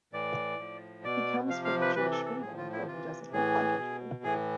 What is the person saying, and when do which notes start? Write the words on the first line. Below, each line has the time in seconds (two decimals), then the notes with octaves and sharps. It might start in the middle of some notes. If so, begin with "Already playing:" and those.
He comes from a Jewish family, though doesn't look like a Jew.
0.13 A2 E3 D5
0.59 A2 F3
1.04 B2 D5
1.50 C3 F3 F5
1.65 F5
1.81 B4
1.95 C3 E3 B4
2.12 A4
2.26 A4
2.41 A2 F3 G#4
2.57 F4
2.72 E4
2.87 C3 E3 F4
3.32 A2 E3 G#4
3.79 B2
4.23 A2 E3 G#4